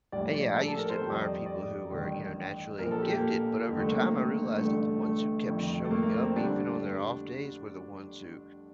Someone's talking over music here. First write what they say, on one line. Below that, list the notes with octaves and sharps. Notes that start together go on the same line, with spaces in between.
and, yeah, I used to admire people who were, you know, naturally gifted, but over time, I realized that the ones who kept showing up, even on their off days, were the ones who
A#1 A2 G3 D5
D5
A4
A4
A#4
C5
F2 D#3 G3
D#5
D5
D5
A1 G2 D#3
A#1 A#2 F3 A#4
A4
G4
A#3
A1 G2 D3
A3
A#3
C4
A1 G2 D3 A3
A3
G1 F2 D#3
A3
A#3
A#3
A#3
C4
D3 G3 D4